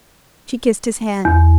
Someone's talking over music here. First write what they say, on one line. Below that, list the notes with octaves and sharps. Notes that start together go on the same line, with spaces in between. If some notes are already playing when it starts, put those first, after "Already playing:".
She kissed his hand.
E2